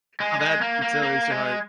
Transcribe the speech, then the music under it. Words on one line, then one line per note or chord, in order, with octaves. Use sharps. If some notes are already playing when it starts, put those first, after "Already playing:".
how that accelerates your heart.
G#3
G#3
A#3
A#3
A#3
G#3